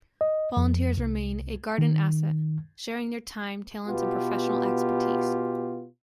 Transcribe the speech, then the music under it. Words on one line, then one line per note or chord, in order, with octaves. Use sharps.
Volunteers remain a Garden asset, sharing their time, talents and professional expertise.
D#5
F2
C2
D#3
B2 B3 F4 G4